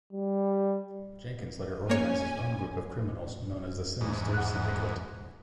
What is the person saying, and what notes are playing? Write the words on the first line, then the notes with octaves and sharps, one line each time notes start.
Jenkins later organized his own group of criminals known as the Sinister Syndicate.
G3
A#3 C#4 C#5 G#5
E2 G#2
F#5 F#6